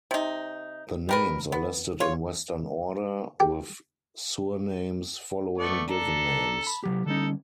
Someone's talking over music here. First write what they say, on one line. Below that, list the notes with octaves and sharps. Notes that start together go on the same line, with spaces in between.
The names are listed in western order, with surnames following given names.
C3 D#4
G3 A#4 B4
B3
F4 C#5
G4
A3 B3 D5
D4 A4 A#5
A5 B5
C3 F#3 G4
D3 G3 C#4 D#4 A4